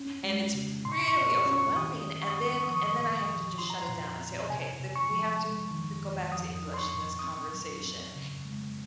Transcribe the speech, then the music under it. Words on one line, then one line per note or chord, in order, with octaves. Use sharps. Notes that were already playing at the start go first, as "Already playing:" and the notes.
and it's really overwhelming, and then and then I have to, just, shut it down. I say, "Okay, the we have to go back to English in this conversation,"
Already playing: C#4
G#3
C#3
A#2 C6
C#6
C6
C#6
F4
C#6
C#4
C#6
D#3 D#6
D#3
C#6
D#6
D#3 C#6
D#6
C#6
D#6
F3 C#6
D#6
C#6
A#2 D#6
C#6
F3
F4 C6
A#5
C6
A#2
C4
C3 G#5
C3
C#6
F3
G#3
D#3
F2
F3 D#6
D#4
C6
C#6
A#2
D#6
C4 C#6
F#3
C4
C#3
G#3